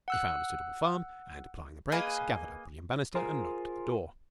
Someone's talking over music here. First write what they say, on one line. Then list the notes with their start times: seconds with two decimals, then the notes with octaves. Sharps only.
He found a suitable farm and, applying the brakes, gathered up William Bannister and knocked at the door.
0.08 F#5 E6 F#6
1.92 A#3 G#4 B4 D#5
3.15 F4 G#4 A#4 C5 G#5